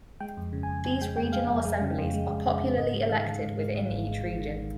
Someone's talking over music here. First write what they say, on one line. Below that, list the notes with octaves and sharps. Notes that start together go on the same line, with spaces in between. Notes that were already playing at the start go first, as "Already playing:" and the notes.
These Regional Assemblies are popularly elected within each region.
G#3 G5
F2
C#3
G#5
F2
F2 G#5
G#3 G5
F2 G5
G#3 F5
F2
G#3
C#3
F2
G#3
F2
C#3
C#3
G#2 D#5
G#3
D#3 F5
D#3
G#2
G#3
G#2
G#1
G#3
G#1
D#3